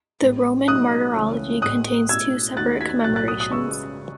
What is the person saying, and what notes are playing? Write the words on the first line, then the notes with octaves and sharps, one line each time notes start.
The "Roman Martyrology" contains two separate commemorations.
A1 A2 G#3
B2 F#3 A3 D#4 D#6 F#6
C#2 C#3 E3 A3 C#4
A1 A2 G#3 B3 D#6 F#6
B2 A3 C#4 E4 E6 G#6
D#2 D#3 A3 D#4 F#4 F#6 A6
G#6 B6
B1 A2 F#3 F#6 A6
F#6 A6
D#6 F#6
D#6 F#6
C#3 G#3 C#4 G#4 B4 C#6 E6
C#3